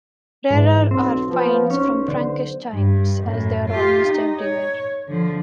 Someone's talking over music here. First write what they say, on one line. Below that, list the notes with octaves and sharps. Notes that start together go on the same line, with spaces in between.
Rarer are finds from Frankish times, as they are almost everywhere.
G#2 E3
B1 C4
F3 B3
B1 C#4 C5
D3
G2
F#2 A2
F4 G4
D#4
C#5
D3 F3